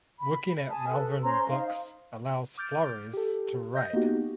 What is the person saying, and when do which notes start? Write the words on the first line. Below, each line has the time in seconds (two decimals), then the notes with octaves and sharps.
Working at Malvern Books allows Flores to write.
0.19 B5
0.69 G#5 A5 D#6
0.88 A4 B4
1.22 C#4 C5 A#5 C6
1.49 D#4 C5 F5
2.58 D6 F6 G6 A6 D7
3.13 G4 A4
3.74 D#5 G6 A#6
3.93 A#3 B3 D#4 F#4 G4